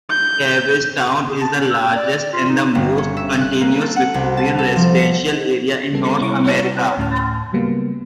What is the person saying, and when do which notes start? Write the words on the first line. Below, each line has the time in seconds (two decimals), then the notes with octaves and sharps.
Cabbagetown is the largest and most continuous Victorian residential area in North America.
0.10 G6
1.28 G#4
1.41 A5
1.55 C#4
1.70 E6
1.83 G5
1.96 D5
2.18 D5
2.33 F4
2.49 D#4
2.75 G1
2.98 C#4
3.17 E5
3.41 F#6
3.61 A#3
3.81 A4
3.96 F#5
4.14 C2
4.37 A5
4.59 A4
4.76 F3
4.99 C#7
5.32 D#4
5.93 G3 B3 A4
6.21 C3 G3 E4 A#5 C#6 D6
6.97 D2 A2 C#4 A5 F6
7.52 C#3 F#3 G3 A#3 B3